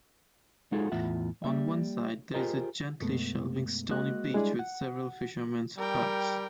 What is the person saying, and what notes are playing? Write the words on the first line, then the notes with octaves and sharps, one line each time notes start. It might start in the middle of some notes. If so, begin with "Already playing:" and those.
On one side there is a gently shelving stony beach with several fishermen's huts.
G#3 D#4 F4 F#4 G#4 A4
E2 A2 F4 E5 F#5
G3 A#3 E5
F4 G4 G#4 A#4 C5 D#5
F#2 B2 G#3 A3 B3
G#3 A#3 F#4 D#5 F#6
G3 G#3 D4 E4 G#4 D5
F#5
G3 A#4 G5